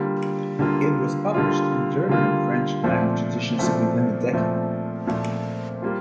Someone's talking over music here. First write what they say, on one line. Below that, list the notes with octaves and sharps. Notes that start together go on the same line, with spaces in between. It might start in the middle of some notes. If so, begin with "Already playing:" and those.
It was published in German and French-language editions within the decade.
Already playing: D3 G3 A#3 F4
D3 G3 A#3 F4
D3 G3 A#3 F4
D3 G3 A#3 F4
A#2 F3 A3 C4
A#2 F3 A3 C4
A#2 F3 A3 C4
A#2 F3 A3 C4
G3 A#3 F4